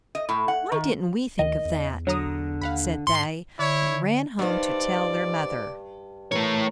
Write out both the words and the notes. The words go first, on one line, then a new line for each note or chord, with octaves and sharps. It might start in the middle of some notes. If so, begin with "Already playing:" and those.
"Why didn't we think of that?" said they, and ran home to tell their mother.
D#5
A2
F#5
D#3
D2 D#3 D#5
E2
D3 F#3 A#5 D#6
D#2 F5 F#5 B5
G#2 C6 C#7
D3 E4 C#5
G2 D#4 C5 D5
E3 A3 A#4 C#5